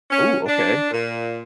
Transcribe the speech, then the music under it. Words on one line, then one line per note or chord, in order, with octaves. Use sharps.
Ooh, okay.
C#4
D4
A#2